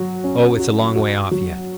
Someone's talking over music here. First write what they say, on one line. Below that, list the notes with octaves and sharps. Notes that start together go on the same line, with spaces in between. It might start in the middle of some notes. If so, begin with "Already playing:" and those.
Oh, it's a long way off yet.
Already playing: F#3 F#4
C#4
F#4
F#4
F#3